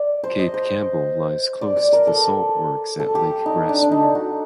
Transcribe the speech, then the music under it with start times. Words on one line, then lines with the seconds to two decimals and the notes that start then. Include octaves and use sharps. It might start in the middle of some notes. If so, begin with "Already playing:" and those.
Cape Campbell lies close to the salt works at Lake Grassmere.
Already playing: D5
0.24 C5
0.39 D#5
0.54 C5
1.61 D5
1.77 D5
1.93 A#4
2.07 A4
3.00 A4
3.15 G4
3.46 D#4
3.69 D4
3.82 D4
3.91 D#4
4.15 F#4